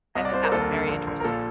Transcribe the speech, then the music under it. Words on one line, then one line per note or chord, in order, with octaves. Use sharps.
I bet that was very interesting.
C2 D#5
D5
C2 C5
A#4
D#2 A4
A#4
D3
A#1
A#1
A#4
A#2 A4